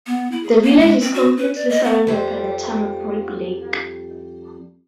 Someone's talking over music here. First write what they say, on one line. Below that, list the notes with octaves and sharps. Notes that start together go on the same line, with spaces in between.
The village is completely surrounded by the Town of Rib Lake.
B3
E4
G#4
A#3
G#3
C4
F#4
B4
D5
D#5
B3
F2 G3 C5